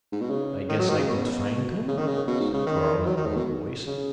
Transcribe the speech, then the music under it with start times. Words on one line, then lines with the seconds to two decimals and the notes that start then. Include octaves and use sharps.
"I guess I could find him," said Carl in a low voice.
0.12 G#2
0.21 B2
0.30 C#3
0.69 D#3
0.79 F#3
0.89 D#3
0.98 C#3
1.09 B2
1.88 C#3
1.97 D#3
2.07 C#3
2.27 B2
2.40 G#2
2.54 C#3
2.66 D#3
3.06 F#3
3.17 D#3
3.26 G#2
3.36 B2
3.86 C#3